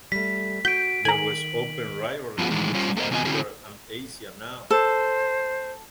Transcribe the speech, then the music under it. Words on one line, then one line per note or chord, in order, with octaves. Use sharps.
There was open rivalry between Gilbert and Asia now.
G3 A3 B6
F#4 G6 B6 D7
D#3 G#5 A#5 F#7
G2 F3 B3 C#4 F4 F#4
A2 D#3 E3 G#3
G3 C#4 F4 C5 C#5
A3 B3 A#4 C5 D#5
E2 C#3 C4 E4 D#5 G#5
D3 C4 C#4 E4 F#4 G#4
A4 C5